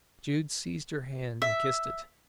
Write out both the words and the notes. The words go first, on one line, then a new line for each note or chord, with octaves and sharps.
Jude seized her hand and kissed it.
E5